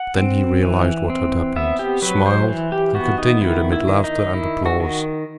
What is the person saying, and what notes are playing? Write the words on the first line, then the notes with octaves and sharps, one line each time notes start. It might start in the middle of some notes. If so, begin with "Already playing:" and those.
Then he realized what had happened, smiled and continued amid laughter and applause.
Already playing: F#5
C4
E3
C4
B3 E5
G4
F#3 B4
C5
E3
G4
B3 F#4
D#4
D#3 E4
E4
D#3
D#4
D#3 E4
F#4
D#3